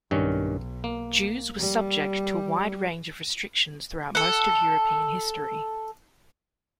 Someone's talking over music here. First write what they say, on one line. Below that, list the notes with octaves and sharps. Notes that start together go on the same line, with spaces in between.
Jews were subject to a wide range of restrictions throughout most of European history.
B1 G2 D#3 C#4
A#3
G3
A4 F#5